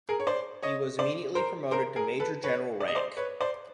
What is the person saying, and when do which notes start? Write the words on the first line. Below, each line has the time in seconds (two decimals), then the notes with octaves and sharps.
He was immediately promoted to major general rank.
0.09 G#4 A#4
0.20 C#5
0.27 C5 D5
0.62 C#5 D#5
0.99 C5 D5
1.35 A#4 C5
1.71 A#4 C5
1.96 G#4 A#4
2.20 A4 B4
2.44 B4 C#5
2.80 D5
2.88 D#5
2.95 C5 D5
3.17 B4 C#5
3.41 C5 D5